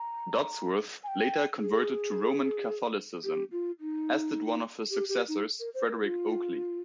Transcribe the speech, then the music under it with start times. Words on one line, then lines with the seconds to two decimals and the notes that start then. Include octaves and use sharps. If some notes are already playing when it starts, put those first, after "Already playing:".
Dodsworth later converted to Roman Catholicism, as did one of his successors, Frederick Oakeley.
Already playing: A#5
1.04 G#5
1.08 G5
1.58 G#4
3.24 G4
3.52 F4
3.80 D#4
4.91 G4
5.09 G4
5.28 D#4
5.60 A#4
5.74 C5
5.88 A#4
6.02 F4